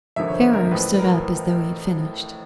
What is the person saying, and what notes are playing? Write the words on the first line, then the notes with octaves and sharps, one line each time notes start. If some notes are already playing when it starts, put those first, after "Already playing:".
Pharaoh stood up as though he had finished.
F1 D#2 D3 F3 E5
C#5
C5
A#4
A1 A2 F3 B4
B4
A#4